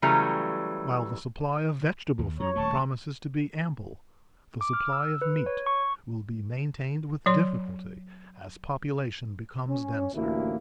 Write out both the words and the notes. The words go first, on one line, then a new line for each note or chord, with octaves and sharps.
While the supply of vegetable food promises to be ample, the supply of meat will be maintained with difficulty as population becomes denser.
C#3 E3 F#3 G3 A3 A#5
D#2
F#2 C#5 A#5 C#6
D#1 A3 A5 C#6
D6
F6
E6
B4
C#5
C#6
F#3 C#5 C6
C#4
A1 D2 A#3 E4